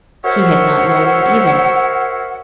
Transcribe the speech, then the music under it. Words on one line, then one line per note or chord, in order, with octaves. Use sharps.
He had not known it either.
F#4 A#4 C5 C#5 E5 F#5